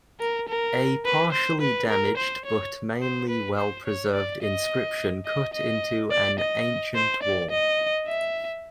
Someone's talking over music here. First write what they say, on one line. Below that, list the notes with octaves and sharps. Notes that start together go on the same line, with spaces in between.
A partially damaged but mainly well preserved inscription cut into an ancient wall.
A#4
A#4
B4
C5
B4
A#4
C5
C#5
C5
B4
C5
C#5
D5
D#5
D#5
D#5
D5
D#5
C5
D5
D#5
E5